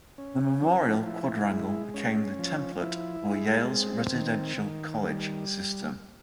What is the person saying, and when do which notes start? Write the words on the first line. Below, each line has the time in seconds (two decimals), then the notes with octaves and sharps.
The Memorial Quadrangle became the template for Yale's residential college system.
0.18 C#4
0.62 F3
1.06 E4
1.51 G#3
1.94 C#4
2.39 F3
2.82 E4
3.26 G#3
3.70 C4
4.14 D#3
4.57 D#3
5.02 G3